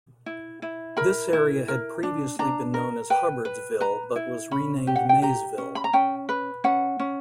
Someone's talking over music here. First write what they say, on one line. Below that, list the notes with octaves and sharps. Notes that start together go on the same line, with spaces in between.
This area had previously been known as Hubbardsville but was renamed Maysville.
E4
E4
A#4 B5
E4
A#4
D4
D4 A#5
A#4
B4 G5
B4
B4 A#5
E4
C#4 B5
G4
F#5
G5
G4 A#5
C#4
B5
A#5
C#4 G5
B4
C#4 F#5
C#4